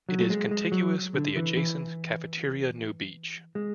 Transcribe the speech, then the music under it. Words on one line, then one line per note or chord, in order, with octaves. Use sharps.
It is contiguous with the adjacent Cafeteria New Beach.
F#3
A3
G#3
G#3
F#3
D3
E3
E3
G#3